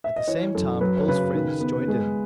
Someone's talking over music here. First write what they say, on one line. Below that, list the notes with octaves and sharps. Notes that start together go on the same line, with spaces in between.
At the same time Bill's friends joined in.
E5
D#5
E3 C#5
F#2 A4
F#3 B4
C#5
C#3 B4
D#3
B3
G#3